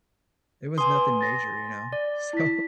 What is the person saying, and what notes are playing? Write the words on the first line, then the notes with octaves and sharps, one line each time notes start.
it was nothing major, you know? So,
B4 G#5 C6 D#6
A6 A#6
D5
E4 B6